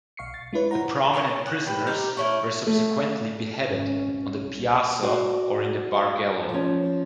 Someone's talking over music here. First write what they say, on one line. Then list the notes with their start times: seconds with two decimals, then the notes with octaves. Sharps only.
The prominent prisoners were subsequently beheaded on the Piazza or in the Bargello.
0.17 B1 F5 C#6 C7 C#7
0.34 A6
0.53 G#3 D4 E4 B4 C#5
0.71 E4 C5 F#5 A#5
1.13 A#4 C5 C#5 A5
1.46 F#5
1.67 G4 B4
1.87 C4 D#4 G4 A#4
2.17 A3 C#4 E4
2.67 A3
3.66 G#1 C#4
4.36 C2
5.03 F#4 C5 D5
6.50 F3 C#4